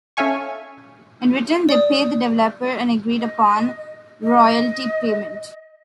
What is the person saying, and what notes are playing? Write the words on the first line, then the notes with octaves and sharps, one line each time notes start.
In return they pay the developer an agreed upon royalty payment.
C#4 A4 E5 F5 G#5 C#6
D5 D#6
D#5
D#5